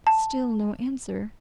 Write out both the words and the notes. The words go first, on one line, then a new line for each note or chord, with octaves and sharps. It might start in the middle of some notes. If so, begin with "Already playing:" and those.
Still no answer.
A5